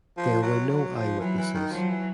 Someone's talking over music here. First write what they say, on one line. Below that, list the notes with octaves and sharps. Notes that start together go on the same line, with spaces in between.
There were no eyewitnesses.
F3
F#3
F#3
F3
E3 F#3
E3
D#3
F3 F#3
E3